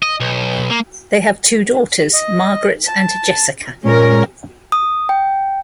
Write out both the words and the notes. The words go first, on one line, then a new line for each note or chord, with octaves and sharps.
They have two daughters, Margaret and Jessica.
D#5
B1
A#3
D#5
A5
A#2 G#3 C#4 A#4
D#6
G5